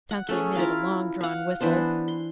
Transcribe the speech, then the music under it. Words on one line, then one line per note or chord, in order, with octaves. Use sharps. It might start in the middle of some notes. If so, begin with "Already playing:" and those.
Chunky emitted a long-drawn whistle.
F#5
A3 C#4 G#4
E4 F4 A#4 F5
F5 F#5
E3 B3 D4 C5
C6